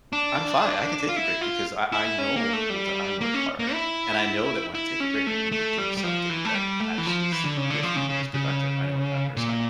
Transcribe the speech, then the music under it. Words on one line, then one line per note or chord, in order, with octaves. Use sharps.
I'm fine. I can take a break because I I know that I work hard. And I know that when I take a break, I'm gonna be doing something that actually is good for me, that's productive. I know what kind of person I am."
D4
F4
E4
F4
E4
C#4
A#3
A3
G3
A#3
C#4
A#3
E4
E4
C#4
A3
A3
G3
G3
F3
E3
A3
G3
A3
E3
F3
E3
D3
C#3
D3
F3
C#3
C#3
C#3
A#2